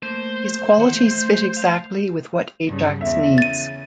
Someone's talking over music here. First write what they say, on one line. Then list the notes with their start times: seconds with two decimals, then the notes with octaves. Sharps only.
His qualities fit exactly with what Ajax needs.
0.03 A3 A#3 C5
0.78 D#3 E3 F#5
0.94 A3
1.57 F5
2.67 G2 C#3
3.01 E2 E5
3.38 C#3 A6 D#7